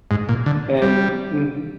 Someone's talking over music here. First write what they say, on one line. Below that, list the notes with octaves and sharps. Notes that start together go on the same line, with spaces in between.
And mhm.
G#2
A#2
D3
G3